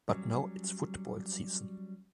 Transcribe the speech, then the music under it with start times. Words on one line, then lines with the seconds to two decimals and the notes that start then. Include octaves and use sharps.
But now it's football season.
0.09 F#3 G3 C#4